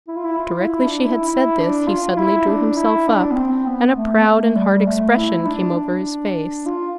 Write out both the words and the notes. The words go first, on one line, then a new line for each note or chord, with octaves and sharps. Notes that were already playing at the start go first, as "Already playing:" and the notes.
But directly she had said this he suddenly drew himself up, and a proud and hard expression came over his face.
E4
F4
E4
F4
E4
D4
E4
E4
D4
F4
E4
D4
E4
D4
B3
C4
B3
A3
B3
A3
G3
A3
E4
D4
D4
F4